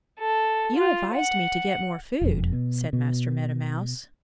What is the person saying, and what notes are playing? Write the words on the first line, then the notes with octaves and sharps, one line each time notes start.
"You advised me to get more food," said Master Meadow Mouse.
A4
F4
F#5
E1 F2
B2
B2